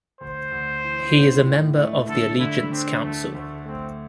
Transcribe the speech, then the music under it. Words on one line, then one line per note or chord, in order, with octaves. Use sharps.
He is a member of the Allegiance Council.
D2 C5
D2
E3
A2
A2
A3
D3 A4
D3 E4
C4 D4
D2 A3
D2 A3
A3 C4